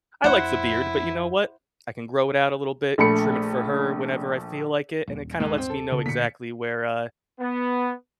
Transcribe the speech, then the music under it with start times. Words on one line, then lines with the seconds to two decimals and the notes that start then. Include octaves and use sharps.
I like the beard, but you know what? I can grow it out a little bit, trim it for her whenever I feel like it, and it kinda lets me know exactly where, uh,
0.24 F2 E4 C5 F#5
2.98 A#1 A3 B5 C#7
5.07 D#1
5.40 G#2
5.58 C4
5.70 A4
5.92 D2 C#3
6.06 A#2 D3 A#3 B6 C#7
7.40 B3